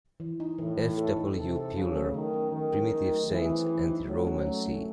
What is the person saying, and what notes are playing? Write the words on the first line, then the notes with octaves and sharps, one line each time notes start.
F. W. Puller, "Primitive Saints and the Roman See".
E3
D#4
A2 E3
E3
A4
D#4
C3 A4
A4
C#3 F#3
A3
D#3 A3
C#4
D#3 F#3
G#4
F#3
A3
E3 G#4
C4
C4
D#4
F#3 A3
C#4
A3
A3